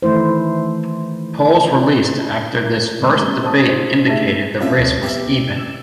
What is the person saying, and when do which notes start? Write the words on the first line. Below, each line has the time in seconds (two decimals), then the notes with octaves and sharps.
Polls released after this first debate indicated the race was even.
0.03 D#3 E3 A3 E4 C5
3.00 G#1 G#3 A3 A#4 E6
3.21 G3 B3 C#4
3.42 C#4 C5 A5 D#6
3.67 B2 D#4 F4 C5
4.06 A3 D4 D#4 G4 G#4 E5
4.61 F2 C#4 F4 E5
4.78 D2 C#5
5.03 B3 G4 E5
5.57 E6